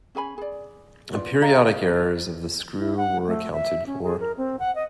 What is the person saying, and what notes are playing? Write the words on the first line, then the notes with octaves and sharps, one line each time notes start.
The periodic errors of the screw were accounted for.
C#4 G#4 G#5 B5
G#4 D5
F4 B4 D5
D#5 F5 A#5
E4
F#5
A3
E5
C#4
G#4
A#4
C4
F#5
D#5